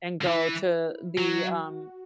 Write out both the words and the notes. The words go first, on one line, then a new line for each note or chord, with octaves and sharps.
and go to the, um
D3
E3 E4
F#3 F#4